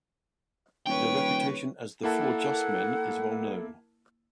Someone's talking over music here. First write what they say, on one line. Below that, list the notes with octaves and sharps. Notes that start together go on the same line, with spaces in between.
Their reputation as the "Four Just Men" is well known.
D#1 B4 C#5 G5
A#3 E4 A4 F#5 A5